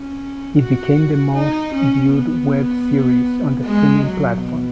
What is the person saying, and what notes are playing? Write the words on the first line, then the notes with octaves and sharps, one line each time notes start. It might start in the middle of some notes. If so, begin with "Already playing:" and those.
It became the most viewed web series on the streaming platform.
Already playing: C#4
F#4
D#4
C#4
B3
G#3
F#3
B2